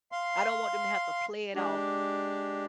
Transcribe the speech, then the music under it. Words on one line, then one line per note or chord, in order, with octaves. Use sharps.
I don't want them to have to play it off
F5 C6
G#3 D4 G4